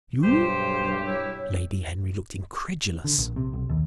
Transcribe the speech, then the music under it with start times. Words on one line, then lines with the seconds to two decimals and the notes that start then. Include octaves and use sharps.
"You?" Lady Henry looked incredulous.
0.23 B1 G2 G4 C5
1.07 E4 C#5
3.05 D3
3.18 A#1
3.36 C3
3.53 B1
3.69 D#2